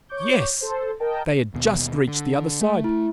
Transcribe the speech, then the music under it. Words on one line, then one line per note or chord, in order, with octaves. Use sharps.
Yes! they had just reached the other side.
C#5 C#6 D6 G6
A4 C5
A#4 D#5 G5 A5
D#2 B2
D3
A3
E4